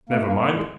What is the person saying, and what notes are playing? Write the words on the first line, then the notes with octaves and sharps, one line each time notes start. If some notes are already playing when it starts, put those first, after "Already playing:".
Never mind.
A#3
A3
A#3
A#3
G#3